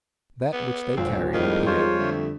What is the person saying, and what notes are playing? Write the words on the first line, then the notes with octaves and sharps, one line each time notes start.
That which they carried appeared.
B3
D#1 G#1 D2 C4 F4
F2 A2 D#3 G3 G#3 F5
F4 C5 C#5
D3 A3